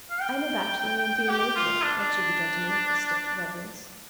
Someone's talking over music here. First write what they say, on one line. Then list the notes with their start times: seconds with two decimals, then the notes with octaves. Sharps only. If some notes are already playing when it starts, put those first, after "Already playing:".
"I am a Bachelor in Theologia," answered the gentleman with a stiff reverence.
0.11 F5
0.21 G5
1.29 G4
1.56 F4
1.83 D4
1.98 D4